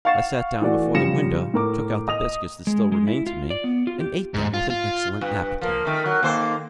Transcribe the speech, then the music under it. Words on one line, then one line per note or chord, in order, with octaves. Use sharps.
I sat down before the window, took out the biscuits that still remained to me, and ate them with an excellent appetite.
F5 F#5 C#6 A6 C7 E7
E3 A3 F#4 D5
C#3 F3 G3 A#6 C#7 E7
A2 A#4 D6
D#5 D#6 F7
G#3
G#3
E4
F4
D5
B3
F4
G4
G#2
F4
F4
G2
F3 A#3 A#4
D#3 A3
F#3
D#3 A#3 A4 C5